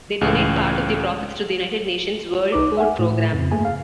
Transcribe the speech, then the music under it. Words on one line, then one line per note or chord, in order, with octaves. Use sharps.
They donate part of their profits to the "United Nations World Food Programme".
C#2 A2 E3
C2 D#4 B4 D6
E5 F#5 G#5
A2
F2 C#3
G2 A3 A#3 G#4 G#5
F5